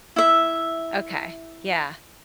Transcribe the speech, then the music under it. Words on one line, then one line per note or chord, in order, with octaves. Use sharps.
Okay. Yeah.
E4 E5